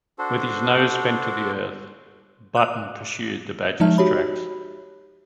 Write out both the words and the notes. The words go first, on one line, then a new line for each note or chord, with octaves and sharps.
With his nose bent to the earth, Button pursued the badger's tracks.
D4 F#4 A4 C5
D6 F#6
F3 G#3 D#4 E5 A5 F6
F#4 G4 C#5 B5